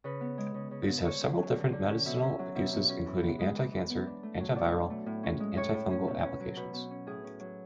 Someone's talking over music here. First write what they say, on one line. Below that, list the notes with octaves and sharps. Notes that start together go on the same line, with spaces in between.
These have several different medicinal uses including anti-cancer, anti-viral, and anti-fungal applications.
C#3 B4
B3
G#3
C#3
C#3
B3
D3 C#5
C#4
F#3
D3
D3
C#4
B2 E5
C#4
F#3
B2 E5
B2
C#4
E3
B3
G#3
E3
E3
B3
D4
A3
F#3
B2 D5
D4
A3
A2
C#4
G#3
A2 C#5
A2
C#4
B2
C#4
F#3
B2 B4
B2
C#4
A2 G#4
C#4
F#3